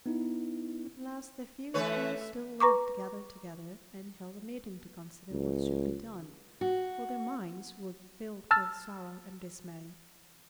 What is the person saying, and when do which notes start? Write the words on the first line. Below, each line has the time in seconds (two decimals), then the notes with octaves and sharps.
At last the few who still lived gathered together and held a meeting to consider what should be done, for their minds were filled with sorrow and dismay.
0.06 B3 D#4 E4
1.74 E3 A3 B4 C#5 E5
2.60 B4 A#5 C#6 D6
5.32 C#2
6.61 F#4
8.51 A5 E6 F6 A6